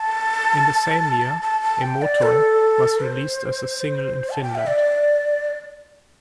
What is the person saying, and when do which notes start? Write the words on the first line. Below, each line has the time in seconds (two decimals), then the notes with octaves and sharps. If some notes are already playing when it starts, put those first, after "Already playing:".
In the same year, "Emoton" was released as a single in Finland.
Already playing: A5
1.42 A5
1.62 A5
1.82 G5
2.02 D5
2.22 A4
3.04 C5
4.30 A5
4.42 G5
4.55 E5
4.67 D5